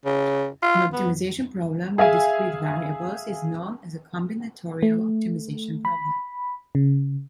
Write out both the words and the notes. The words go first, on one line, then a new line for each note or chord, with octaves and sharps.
An optimization problem with discrete variables is known as a combinatorial optimization problem.
C#3
F4
B3
G#4 E5 F5 G#5
A3
B5
C#3